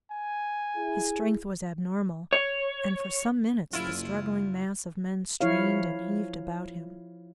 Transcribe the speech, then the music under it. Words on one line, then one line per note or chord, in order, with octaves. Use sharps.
His strength was abnormal, and for some minutes the struggling mass of men strained and heaved about him.
G#5
E4 G#4
C#5
F#1 E4 F4
F3 E4 C#5 F5